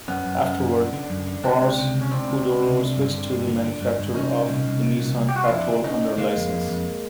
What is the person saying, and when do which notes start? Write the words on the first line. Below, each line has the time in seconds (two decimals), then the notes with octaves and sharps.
Afterward, Pars Khodro switched to the manufacture of the Nissan Patrol under licence.
0.08 F#2 B3 C#4
0.25 F#2
0.42 F#2
0.59 F#2
0.76 D3
0.93 D3
1.10 F#2
1.27 D3
1.44 C#2 C4 D4
1.61 C#2
1.78 C3
1.94 C#2
2.01 C#4
2.11 C#2 C4 D4
2.29 C#2
2.46 C#2
2.63 C3
2.79 D3
2.97 G2
3.13 D3
3.31 G2
3.47 D3
3.64 D3
3.81 G2
3.98 G2
4.14 C2 C#4 D#4
4.32 A#2
4.49 C2
4.66 C2
4.83 A#2
5.00 C2
5.17 C2
5.29 G4
5.34 C2 F#4
5.44 F4
5.50 F2 D4 E4
5.67 D3
5.84 D3 C#4 D#4
6.01 D3
6.18 D3 G#3 A#3
6.36 F2
6.53 F2
6.69 F2